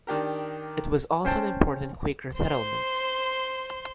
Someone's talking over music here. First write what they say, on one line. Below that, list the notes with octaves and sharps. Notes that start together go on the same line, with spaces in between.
It was also an important Quaker settlement.
D#3 D4 G4 A#4
C#4 C5 G5 A5
C5 C6